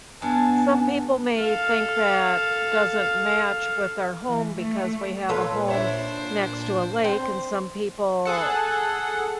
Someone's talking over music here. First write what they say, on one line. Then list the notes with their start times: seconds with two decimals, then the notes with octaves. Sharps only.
Some people may think that doesn't match with our home because we have a home next to a lake, and some people
0.22 G2 B3 G#5 A5
1.35 A4 F5
4.27 E3
4.57 A3
5.29 A#2 A#3 F4 A4 B4 C#5
5.68 D4 C5 C#5 E5
7.04 C4 C5
8.25 G#4 A4 F#5